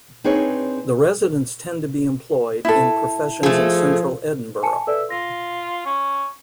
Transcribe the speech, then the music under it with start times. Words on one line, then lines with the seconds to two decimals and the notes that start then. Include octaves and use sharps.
The residents tend to be employed in professions in central Edinburgh.
0.24 C4 D4 D#4 G#4 B4 C#5
2.65 E4 A4
3.43 F3 A3 G#4
4.63 G#5 A5 C#7
4.87 A4 B4 D5 E5
5.11 F4 A#6
5.86 C#4